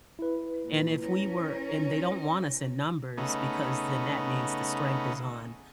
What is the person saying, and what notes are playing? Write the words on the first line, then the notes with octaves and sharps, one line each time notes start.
And if we were and they don't want us in numbers because then that means the strength is on
E4 B4
A#2 F3
C#4 A#4
C#3 A3 B3 D#4